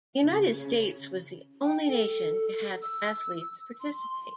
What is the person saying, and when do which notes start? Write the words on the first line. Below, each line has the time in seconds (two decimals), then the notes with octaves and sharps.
The United States was the only nation to have athletes participate.
0.22 C#3
1.64 G5
1.87 A4
2.82 E6
3.80 C6